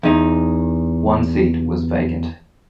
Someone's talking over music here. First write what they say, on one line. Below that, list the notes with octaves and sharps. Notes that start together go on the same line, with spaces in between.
One seat was vacant.
E2 D#4